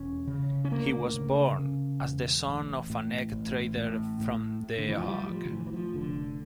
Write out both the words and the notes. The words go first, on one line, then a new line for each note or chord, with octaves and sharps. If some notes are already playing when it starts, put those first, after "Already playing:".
He was born as the son of an egg trader from The Hague.
Already playing: E1 C#4
C#3
C#4
D2 A#3
C#3
C#3
E1
A1
A2
A1
A2
A2
A2
D3
E3
F3
A2 G3
F3
D3
A2 E3
E3
F3
F1 D3